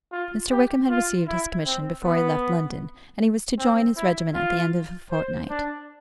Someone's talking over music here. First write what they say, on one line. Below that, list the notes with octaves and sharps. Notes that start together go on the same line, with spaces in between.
Mr. Wickham had received his commission before he left London, and he was to join his regiment at the end of a fortnight.
F4
G4
F4
E4
C4
B3
C4
E4
F4
C5
D4